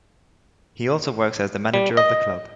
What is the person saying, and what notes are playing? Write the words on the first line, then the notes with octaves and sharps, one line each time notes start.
He also works as the manager of the club.
G3
D#5